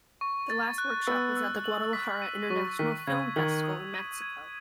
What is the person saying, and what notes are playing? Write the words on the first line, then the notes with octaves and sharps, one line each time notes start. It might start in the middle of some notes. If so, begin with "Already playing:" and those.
The last workshop was at the Guadalajara International Film Festival in Mexico.
C#6
A6
F#6
B3 E6
E6
F#7
B6
D#7
F#3 C#6
D#3 B6
C#3 G#6
D#3 F#7
D#6
D#7
G#6